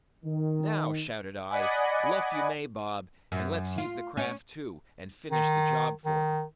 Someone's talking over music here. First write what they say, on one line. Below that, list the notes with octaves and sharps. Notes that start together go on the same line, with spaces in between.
"Now," shouted I, "luff you may, Bob, and let's heave the craft to, and finish the job for them."
D#3
D5 D#5 F#5 G#5 B5
F#2
F4
C#4
D#3
D#3